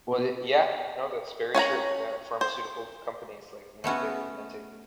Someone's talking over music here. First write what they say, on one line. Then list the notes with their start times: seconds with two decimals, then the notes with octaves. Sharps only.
Well, it Yeah, no, that's very true. Yeah, pharmaceutical companies, like, you know, they're meant to
1.54 C#4 C#5 F5 A#5
2.41 C5
3.84 A3 B3 C#4 F#4